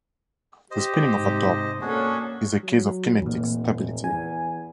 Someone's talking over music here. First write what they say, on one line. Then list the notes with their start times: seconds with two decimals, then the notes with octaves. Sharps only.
The spinning of a top is a case of kinetic stability.
0.71 G4 C5 D#5
1.13 G#2 C3
1.81 A#3 C#4 D4 F#4 G#4 A4
2.63 F#3
3.22 F1 E2 A#2
4.04 E2 G#5